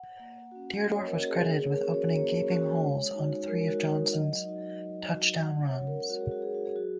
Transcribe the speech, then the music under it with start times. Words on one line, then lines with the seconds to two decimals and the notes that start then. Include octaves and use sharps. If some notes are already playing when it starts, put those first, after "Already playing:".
Dierdorf was credited with opening gaping holes on three of Johnson's touchdown runs.
Already playing: F#5
0.19 A#3
0.51 C#4 F#4
0.85 A#3 D#5
0.96 C#5
1.07 A#4
1.17 C#4 F#4
1.28 G#4
1.50 A#3 G#4
1.64 C#5
1.72 A#4
1.83 C#4 F#4
1.94 C#5
2.15 A#3 C#5
2.48 C#4 F#4
2.81 G#3
3.14 D#4 F#4
3.46 G#3 A#4
3.68 F#4
3.80 D#4 F#4
4.12 F#3 D#5
4.45 D#4 F#4
4.79 F#3
5.10 D#4 F#4
5.43 G#3 F#5
5.65 C#5
5.77 C#4 F#4
5.87 A#4
6.09 G#3 F#4
6.21 G#4
6.31 F#4
6.42 C#4 F#4 G#4
6.54 F#4
6.65 G#4
6.74 F#3 F#4